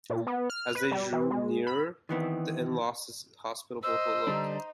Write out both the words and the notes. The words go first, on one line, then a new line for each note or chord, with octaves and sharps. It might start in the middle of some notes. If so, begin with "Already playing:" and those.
As they drew nearer, the inn lost its hospitable look.
A#2
B3
F6
B4
G3
E3
G#3
B5
D#3 E3 B3 C4
C5 D#5 E6
D3 G3 D4 D#4